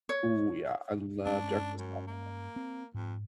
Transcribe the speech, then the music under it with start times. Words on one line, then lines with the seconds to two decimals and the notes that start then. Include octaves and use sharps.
Ooh, yeah, I love dark roast coffee.
0.09 C#5
1.26 G2 G#3 C#4 D4
1.79 F#2
2.07 A#3
2.56 C4
2.94 F2 G#2